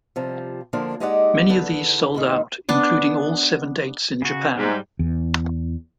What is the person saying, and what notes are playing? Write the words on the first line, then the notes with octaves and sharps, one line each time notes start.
Many of these sold out, including all seven dates in Japan.
C3 F3 G3
D3 F3 A#3 D4
G#3 D#4 G4 D5 D#5 F#5
E2 D3 B4
D#2 G#2 D#3
B3 D4
C#3 F#4
G#2 G3
E2